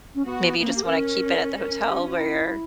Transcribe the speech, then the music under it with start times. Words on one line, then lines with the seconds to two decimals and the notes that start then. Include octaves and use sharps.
maybe you just wanna keep it at the hotel where you're
0.15 C#4
0.25 B3 F#4
0.58 A#3 B3
0.67 C#4
0.76 G4
0.83 A#4
0.91 C#4
1.58 A#4
1.90 G4
1.99 D4
2.07 F#4
2.16 E4